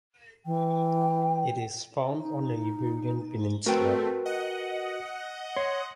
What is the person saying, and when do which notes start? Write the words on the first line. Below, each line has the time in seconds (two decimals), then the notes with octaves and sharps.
It is found on the Iberian Peninsula.
0.46 E3 G5
2.11 D#4
3.66 A3 C4 F#4 A#4 B4 G5
4.25 D#5 F#5
5.57 C#5 C6